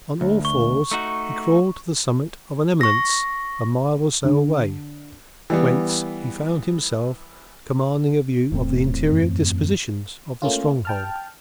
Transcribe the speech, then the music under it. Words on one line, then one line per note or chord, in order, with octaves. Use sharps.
On all fours he crawled to the summit of an eminence a mile or so away, whence he found himself commanding a view of the interior dispositions of the stronghold.
D2
C#6
A3 D#4 F#4
C#6 A#6
D3
E3 G3 B3
D1 E2 A2 C4
F#2
A3 A#3 C#4 F4
G5 A5 F6